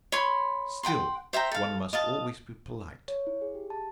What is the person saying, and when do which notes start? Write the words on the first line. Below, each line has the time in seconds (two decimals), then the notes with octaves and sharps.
Still one must always be polite.
0.12 C#5 B5 C6
0.83 F#5 G5 B5 C6
1.33 C5 E5 G5 A#5
1.52 A4 F5
1.93 D#5 F5 A5
3.08 C#5
3.27 E4
3.41 G#4
3.55 G4
3.70 A5